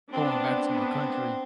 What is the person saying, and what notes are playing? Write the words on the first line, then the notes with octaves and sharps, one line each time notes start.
going back to my country
B3 C4 D4
C4
B3 D4